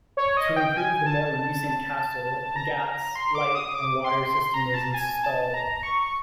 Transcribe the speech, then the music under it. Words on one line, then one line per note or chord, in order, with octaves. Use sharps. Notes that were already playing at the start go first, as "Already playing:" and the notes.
To improve the more recent castle, a gas, light, and water system was installed.
C#5
D#5
G5
G#5
A5
A#5
C6
D6
D#6
D6
C6
C6
A#5
A5
G#5
A5
A#5
C#6